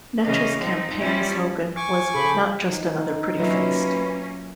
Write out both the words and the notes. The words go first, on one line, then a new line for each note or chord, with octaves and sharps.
Netsch's campaign slogan was Not just another pretty face.
C#3 E3 D#5 F5
F3 C4 D#4
F3 G3 C#4 E4
G#5 C#6 D6
C#3 F3 G#4 A4 B5
D#4
F#3 A#3 C#4 F4 B4 E5